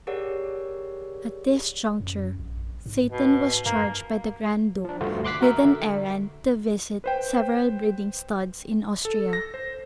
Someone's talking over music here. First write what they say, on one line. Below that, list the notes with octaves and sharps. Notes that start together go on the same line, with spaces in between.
At this juncture, Seyton was charged by the Grand Duke with an errand to visit several breeding studs in Austria.
G4 G#4 A#4 C#5 D5 F#5
F#2
A#1
G#2
B2
G2 A#3
F3 D4
D2 G2 A3 F4 F#4
C6 D6 F#6 B6 C7
F#4 A#4 E5
D3
B4 C5 G5
A4
A#6
C5